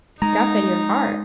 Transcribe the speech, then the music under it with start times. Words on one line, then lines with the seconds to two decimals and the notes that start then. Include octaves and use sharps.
stuff in your heart.
0.22 G#3 D#4 A#5